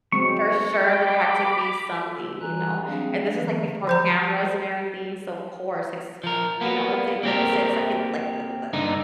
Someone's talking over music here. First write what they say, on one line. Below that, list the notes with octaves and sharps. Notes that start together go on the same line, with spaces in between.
for sure, there had to be something, you know? And this is, like, before cameras and everything, so, of course, like, s f you know, it's it like you said, it's like, in like, the the
F#3 G#3 C4 C#6
G5 B5 D6
F4 A4
E3 G3 G#5 A#5 F#6
F#3 A3 C4 D4 G#4 F5
D3 E3 F#3 G#3 A3 B3
F3 C5 A#5
F3 A#4
A#3 B3
A#3 C4 G4 A#4
G2 D3 D#4